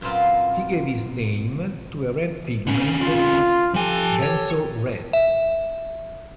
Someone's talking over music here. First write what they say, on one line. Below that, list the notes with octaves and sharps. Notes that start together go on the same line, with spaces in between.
He gave his name to a red pigment "Genso red".
F#2 A#2 B3 C4 F4
D3 C#4
F4
F3 G4 A4 G#5
C#5
E5